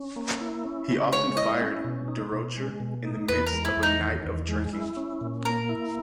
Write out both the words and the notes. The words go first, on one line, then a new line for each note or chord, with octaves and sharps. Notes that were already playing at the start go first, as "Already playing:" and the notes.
He often fired Durocher in the midst of a night of drinking.
Already playing: C#4
A#3
E4
C#4
C#3
G#3 C#5
E4 D#5
C#4
B2
D#4
B2
G#3
B2
D#4
E2 B4
A#4
G#3
E4
E2
D#4
D#3
E2
G#3
E4
C#4
A#2
A#3 A#4
E4